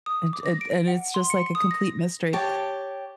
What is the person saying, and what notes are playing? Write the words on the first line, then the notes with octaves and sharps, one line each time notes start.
and and and it's just, like, a complete mystery,
D#6
D6
A#6
D7
F#5
C6
C#7
D#6
A#6
G4 C#5 A5